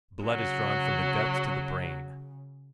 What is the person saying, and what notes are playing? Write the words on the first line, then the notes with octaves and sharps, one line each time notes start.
Blood is drawn from the guts to the brain.
C#3 F#3